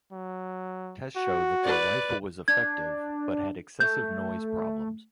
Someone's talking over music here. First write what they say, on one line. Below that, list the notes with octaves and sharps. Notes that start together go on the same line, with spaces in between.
Tests showed that their rifle was effective, but had excessive noise problems.
F#3
F#4
B4 D5
D4 G#6
A3 G6